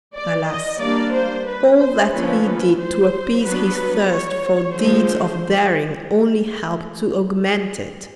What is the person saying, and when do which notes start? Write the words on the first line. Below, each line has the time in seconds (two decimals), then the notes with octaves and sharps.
Alas! all that he did to appease his thirst for deeds of daring only helped to augment it.
0.15 D5
0.47 D#5
0.80 G3 A#3 D4 D5
1.14 C5
1.46 B4
1.79 C5
2.11 D3 F3 A#3 C#4 B4
2.77 C5
3.44 F#3 B3 D4 B4
4.09 C#5
4.75 D3 F3 G#3 C5